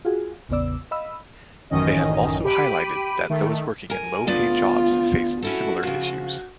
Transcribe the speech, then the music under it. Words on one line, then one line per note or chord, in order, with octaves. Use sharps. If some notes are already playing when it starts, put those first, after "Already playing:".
They have also highlighted that those working in low paid jobs face similar issues.
F4 F#4 G#4
A1 E2 C#3 B3 D5 E6
D#5 F5 B5 E6
A1 F#2 D#3 C#4 D#5
G4 B5 D7 D#7
D#3 A3
A#4 G#5
D2 B3 F4 D5
C#4 E4 F#4 A4
C#3 F3